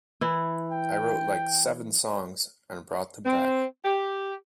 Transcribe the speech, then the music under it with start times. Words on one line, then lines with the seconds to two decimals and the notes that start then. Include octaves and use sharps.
I wrote, like, seven songs and brought them back.
0.21 E3 E4
0.72 G5
3.26 C4
3.83 G4